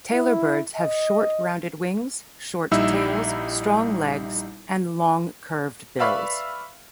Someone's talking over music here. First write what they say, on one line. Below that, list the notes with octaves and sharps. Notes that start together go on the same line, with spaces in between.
Tailorbirds have short rounded wings, short tails, strong legs and long curved bills.
E4
D#5
A#1 G3 D#4 E4 E5 E6
B4 D5 E5 F5 B5 C#6